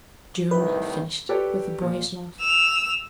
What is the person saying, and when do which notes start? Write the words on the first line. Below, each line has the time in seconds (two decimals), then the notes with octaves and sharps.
"June," he finished with a boyish laugh.
0.51 C2 A2 D#3 B4
1.29 G4 A4 B4 C#5 D5
1.82 A#2
2.40 E6 F7